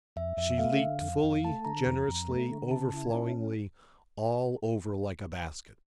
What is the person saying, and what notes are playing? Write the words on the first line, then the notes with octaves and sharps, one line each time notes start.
She leaked fully, generously, overflowingly, all over-- like a basket.
F2 E5
F2 E5
E5
A3 F5
D3
F2
F2
A3 A5
D3 A#5
F2 A#5
F2
A3
D3
C#3 A5
E4
C#4